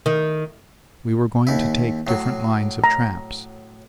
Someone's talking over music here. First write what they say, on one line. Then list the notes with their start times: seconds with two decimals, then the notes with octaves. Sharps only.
We were going to take different lines of traps.
0.06 D#3
1.47 D#2 E4
2.07 A2 F#3
2.84 A#5